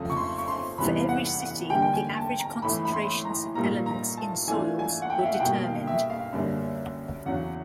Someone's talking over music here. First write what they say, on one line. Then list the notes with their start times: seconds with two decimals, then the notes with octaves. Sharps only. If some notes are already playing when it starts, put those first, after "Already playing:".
For every city the average concentrations of elements in soils were determined.
Already playing: F2 C#3 F3 A3 D#6
0.10 C#6
0.16 C6
0.38 C#6
0.48 C6
0.78 E2 C3 E3 G3 B3 B5
1.00 F5
1.09 F#5
1.40 F#5
1.70 D3 G3 A#3 G5
1.82 G5
1.94 G#5
2.17 A5
2.40 A#5
2.62 A2 E3 A3 B5
2.85 B5
2.93 C6
3.25 A#5
3.55 A#2 G3 A#3 D#4 A#5
3.86 A#5
4.17 A5
4.47 E3 A3 D4 F4 G#5
4.79 G#5
5.02 F#5
5.10 G5
5.19 E5
5.26 F5
5.33 F#5
5.40 B2 G3 A#3 G5
5.64 F5
5.87 E5
6.10 F5
6.33 F#2 D3 G3 A#3 D4
7.26 E2 C#3 F#3 F#5